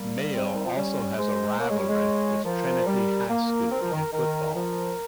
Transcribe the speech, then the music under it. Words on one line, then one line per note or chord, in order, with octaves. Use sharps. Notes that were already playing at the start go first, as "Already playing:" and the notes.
Male also has a rivalry with Trinity High School in football.
Already playing: G3 A#3
C3 C4
C#3
D#3
F3
G3 C#4
G#3 C5
A#3 C#5
G#3
G3
G#3
F3 A#4
G3
A#3 A#4
C4
F3
D#3
D#3 A#4
F3 A#4